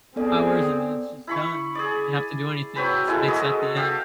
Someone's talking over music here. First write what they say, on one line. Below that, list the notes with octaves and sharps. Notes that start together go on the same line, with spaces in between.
hours, and then it's just done. You don't really have to do anything. You just mix at the end.
B3 C4 G#4 A4 D5
E4 B5 C#6
G#4 D5
F#3 C4 B4 B5
G#3 E4 A4
F#4 G#4 A4 D#5
E5 F5 G5 D#6